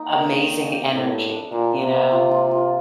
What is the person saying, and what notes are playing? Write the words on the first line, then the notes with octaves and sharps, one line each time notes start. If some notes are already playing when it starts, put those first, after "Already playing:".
amazing energy, you know?
Already playing: A#3 D#4
A#4
D#3 D#4
D5
G4
A2 D4
A4
D4
A#2 A#3
A#3
C3
A#3
F4
F4
F4